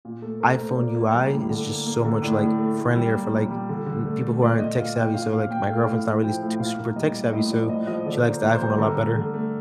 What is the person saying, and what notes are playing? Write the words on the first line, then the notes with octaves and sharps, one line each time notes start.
iPhone UI is just so much, like, friendlier for, like, n people who aren't tech-savvy, so, like, my girlfriend's not really too super tech-savvy, so she likes the iPhone a lot better.
A#2
A3 A4
A3 A#4
A3 C5
A#3 D5
A#3
G3
A2
D3
A#3
A#3
D3
A2 D5
A2
A3
A3
G3
A#3
A#2
G3
D3
D3
A3
A3
A#2 D5
A#2 D#5
A#2 F5
A#2 G5
A#2 F5
A#2 F5
A#2 G5
A3 F5
A2 F5
A2
F3 G5
A2
A#2 F5
A#3
G3 D#5
A#3
A2 D#5
F3 D5
A2 D#5
F3 D#5
D3 D5
A#3
C5
A#3
C5
G3
D3 A#4
A3
D3
A3